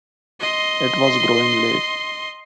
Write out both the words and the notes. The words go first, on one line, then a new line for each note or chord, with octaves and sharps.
It was growing late.
D#5 C6